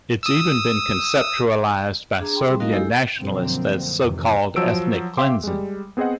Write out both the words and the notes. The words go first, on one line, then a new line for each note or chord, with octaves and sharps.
It's even been conceptualized by Serbian nationalists as so-called ethnic cleansing.
D#6 E6
D4 G#4 A#5
G#4 G5 B5 C6
G3 C4
A#3 D#4 F#4 A#4 D#5 F5
G#3 E4 G4 A4
F#2 B2 D3 F3 A#3 C4
F2 G#2 C3 D#3 E3
F3 F#3 E6 D7
E5 F5 G5 C6 D6
G3 G#3
B3 C4 G#4 C5 D#5 F#5